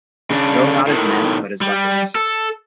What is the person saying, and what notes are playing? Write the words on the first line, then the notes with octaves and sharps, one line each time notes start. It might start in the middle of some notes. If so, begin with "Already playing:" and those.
Go not as men, but as leopards.
C#3 D4
A2 D#3
G3
A4